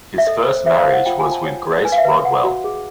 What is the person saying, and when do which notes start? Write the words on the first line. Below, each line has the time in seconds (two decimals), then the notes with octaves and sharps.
His first marriage was with Grace Rodwell.
0.18 E5
0.27 A4 D#5
0.47 C5
0.66 C5 E5
0.79 F5
0.87 C5
0.93 F#5
1.06 F4 G5
1.20 G#5
1.26 F4
1.32 A5
1.45 C#5
1.65 A#4
1.85 B4 G#5
1.92 F5
1.98 E5
2.05 B4
2.24 B4 F#5
2.44 F#4
2.64 G#4